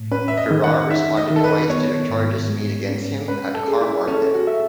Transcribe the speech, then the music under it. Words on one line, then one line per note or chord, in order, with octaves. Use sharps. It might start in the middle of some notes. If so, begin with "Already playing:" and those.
Ferrar responded twice to the charges made against him at Carmarthen.
Already playing: A2
C#4 B4
E5
D#5
D#3
F#5
D#4 E5
D#5
D#3
A4
B4
B3 C#5
G#2
G#3
C#4
C#4 B4
A4
G#4
E4
C#4 A4
F#4
E5